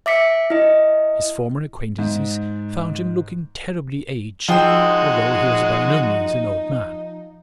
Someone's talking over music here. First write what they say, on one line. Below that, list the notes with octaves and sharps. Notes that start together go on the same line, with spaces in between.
His former acquaintances found him looking terribly aged, although he was by no means an old man.
E5 D6 B6 C#7
E4 D#5
G#2
F3 G#3 D#4 F#4 C5 G5 E6